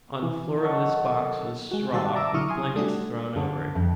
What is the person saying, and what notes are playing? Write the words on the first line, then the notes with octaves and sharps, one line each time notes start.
On the floor of this box was straw with blankets thrown over it.
E3
D#3 F#3 A4
G#3 F#4
D#3 G3 F#4 C5 A5 E6
D5 E5 A5 A#5 D6 E6
D3 F#3 E4 C#6 D#6 F6
G#5 C6 D#6
G3 A3 D4 F#4
D3
F2